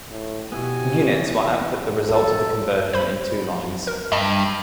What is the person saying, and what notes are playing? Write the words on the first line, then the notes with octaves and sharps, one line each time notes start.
"Units" will output the result of the conversion in two lines.
A2
B2 B3 E4 F#4 G4 G#5
E3
A4
C5 B5
A#4
G2 D#5 A5